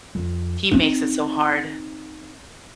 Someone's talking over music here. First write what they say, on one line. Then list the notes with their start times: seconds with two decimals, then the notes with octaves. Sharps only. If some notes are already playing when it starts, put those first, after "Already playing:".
He makes it so hard
0.15 F2
0.71 C4 D#4